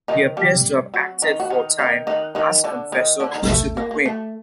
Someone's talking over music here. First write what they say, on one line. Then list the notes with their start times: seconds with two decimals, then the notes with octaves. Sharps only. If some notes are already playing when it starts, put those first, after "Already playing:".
He appears to have acted for a time as confessor to the queen.
0.08 D#3 D#4
0.37 G3 G4
0.94 F#3 F#4
1.22 D#3 D#4
1.40 F#4
1.50 D#3 D#4
1.79 D#3 D#4
2.07 D#3 D#4
2.35 D#3 D#4
2.64 D3 D4
2.92 D#3 D#4
3.20 D3 D4
3.35 D#3 D#4
3.48 A3 A4
3.77 A#3
3.91 A#3
4.06 A3